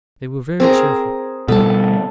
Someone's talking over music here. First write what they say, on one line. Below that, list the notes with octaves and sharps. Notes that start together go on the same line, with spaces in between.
They were very cheerful.
C4 G#4 A#4
B2 G3 A4 A5